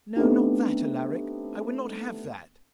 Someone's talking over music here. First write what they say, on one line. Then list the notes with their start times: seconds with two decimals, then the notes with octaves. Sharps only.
'No, not that, Alaric; I would not have that.
0.15 A3 B3 C4 D4 D#4 G4